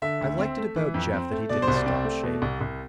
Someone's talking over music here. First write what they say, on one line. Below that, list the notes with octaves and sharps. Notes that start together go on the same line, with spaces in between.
I liked it about Jeff that he didn't stop shaving.
D3 E5
D2
C4
A3
E3
F2
C4
A3
B2 D5
C5
C2
D5
C4
A3
B2
C2
C2